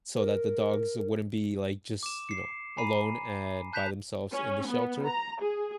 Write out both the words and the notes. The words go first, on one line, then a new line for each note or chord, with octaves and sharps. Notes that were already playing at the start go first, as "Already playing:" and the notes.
so that the dogs wouldn't be, like, just, you know, alone and by themselves in the shelter,
A#4
D6 E7
C7 C#7
G#5 A#5 B5 C7 D#7
A5 F#6 G6 B6 E7 F7
C#4
B3
A#5
G#4